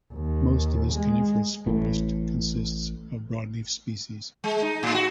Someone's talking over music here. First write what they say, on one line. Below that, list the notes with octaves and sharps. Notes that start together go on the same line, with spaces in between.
Most of this coniferous forest consists of broad leaf species.
D#2
G#3
A1 A2
G#3
D#4
A2
F#4